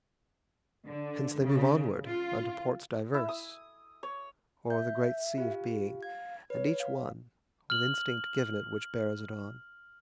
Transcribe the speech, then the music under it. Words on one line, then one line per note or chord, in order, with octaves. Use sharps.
Hence they move onward unto ports diverse O'er the great sea of being; and each one With instinct given it which bears it on.
D3
C#3
F4
E4
D#6
C#5
E5 G6
F4 G4 F5
F5 G#6
B4 C#5
F5
F6 F#7